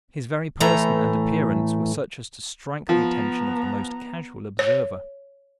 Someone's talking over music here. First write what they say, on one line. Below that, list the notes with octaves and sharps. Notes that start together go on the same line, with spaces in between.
His very person and appearance were such as to strike the attention of the most casual observer.
A2 E3 A3 A#5
F3 B3 A#5
C#5